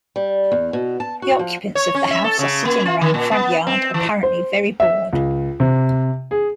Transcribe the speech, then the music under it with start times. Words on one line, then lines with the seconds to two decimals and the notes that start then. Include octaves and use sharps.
The occupants of the house are sitting around the front yard apparently very bored.
0.16 G3
0.52 E2
0.73 B2
1.00 A5
1.22 F#4
1.39 F3
1.75 C#5
1.95 C#4
2.11 E5
2.24 A4
2.39 C#3
2.65 A#3
2.86 F4
3.01 D#3
3.14 A#2
3.31 B3
3.67 C4
3.94 E3
4.23 C5
4.80 E5
5.13 C#2
5.60 C3
6.31 G#4